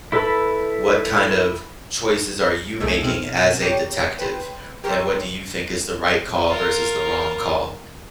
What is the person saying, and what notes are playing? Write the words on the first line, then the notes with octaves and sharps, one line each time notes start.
what kind of choices are you making as a detective, and what do you think is the right call versus the wrong call.
E4 A4 B4 A5 B5
C2 A3 D#4 G#4 E5 G#6
B2 C4 F6
G4 A#4 C#5 D5 G5
B4 G5 B5 C6
G4 A#4 C#5 C6 C#6 E6
F4 A#4